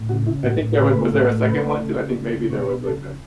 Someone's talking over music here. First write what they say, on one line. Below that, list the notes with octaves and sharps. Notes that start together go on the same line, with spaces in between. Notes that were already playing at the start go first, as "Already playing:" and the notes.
I think there was was there a second one too? I think maybe there was, like, a
Already playing: A2
C#3 F#4
C#3 E4
A2 F#4
A2
C#3 B4
A3
A2
A3
C#3 B4
A3
C#3
C#3
C#3
C#3
B2 C#5
C#5
B2 B4
C#3 A4
C#3